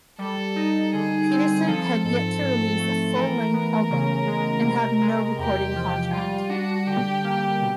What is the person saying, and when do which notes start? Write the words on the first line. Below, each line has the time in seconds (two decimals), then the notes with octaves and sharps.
Peterson had yet to release a full-length album, and had no recording contract.
0.18 G3 A4
0.56 D#4
0.93 D3 G#4
1.30 C4
1.67 F3 A4
2.04 G#2 A4
2.41 G#2
2.78 A3
3.15 E3 A#4
3.53 B3
3.90 C#3
4.26 G#3
4.64 C3
5.01 G#3
5.38 E2 G4
5.75 F3
6.13 G3 F4
6.49 D4 F#4
6.86 D3 G4
7.24 A#3
7.61 B2